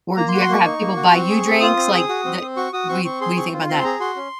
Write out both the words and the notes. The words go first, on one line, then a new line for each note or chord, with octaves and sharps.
Or, do you ever have people buy you drinks? Like, the what what do you think about that?
A#3 A#5
C6
F#4
C6
A#3 C#6
D#4
A#3
F#4
C4
G#4
C4
F4 D#6
C4
G#4
F#4
C4
C4
F#4 C#6
F#4 D#6
C4 C#6
C4 C#6
G#4 C6
C4 C#6
F4
C4 C6
G#4 A#5
F#4 C6
C#4